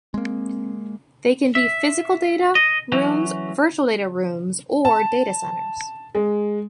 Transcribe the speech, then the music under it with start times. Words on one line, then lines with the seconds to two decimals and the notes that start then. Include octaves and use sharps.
They can be physical data rooms, virtual data rooms, or data centers.
0.14 G#3 A#3 C4
1.55 E5
2.55 D#5
2.92 E3 F#3 C#4
4.85 A5
6.15 G#3